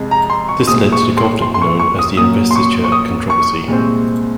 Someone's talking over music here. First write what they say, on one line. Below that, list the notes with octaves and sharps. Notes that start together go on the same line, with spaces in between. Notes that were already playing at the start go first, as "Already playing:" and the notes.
This led to the conflict known as the Investiture Controversy.
Already playing: F2 C3 G#3
A#5
C6
C#6
C2 A#2 G#3 C4 D#6
C#6
C6
C6
C6
C#6
C#6
D#6
A#2 F#3 A#3 D#6
C6
C#6
C#6
D#6
C#6
C2 A#2 G#3 C4